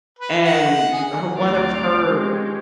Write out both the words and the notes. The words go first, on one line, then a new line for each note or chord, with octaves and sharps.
and her one of her
B4
F#5
G#4
D2 C4 D5 F5 D6 F6
G#3 C4 C#4 G4